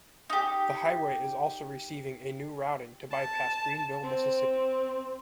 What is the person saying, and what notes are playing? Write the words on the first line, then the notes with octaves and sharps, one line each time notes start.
The highway is also receiving a new routing to bypass Greenville, Mississippi.
D#4 G4
A5
C4